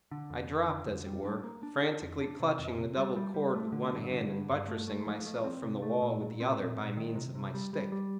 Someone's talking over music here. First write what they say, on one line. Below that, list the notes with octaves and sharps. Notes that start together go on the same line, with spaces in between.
I dropped as it were, frantically clutching the double cord with one hand and buttressing myself from the wall with the other by means of my stick.
D3
F2
F2
D3
F2
G3
D4
A#3
D4
D4
F2
D4
C3
F2
C3
G3
G3
G3
A3
D3
G2
D3
G2
G2
A3
A3
F3
A3
C4
C3
A3
A#2
A#2
C4
A#2
A#2
D#3
C3
C3
G3
G3
G3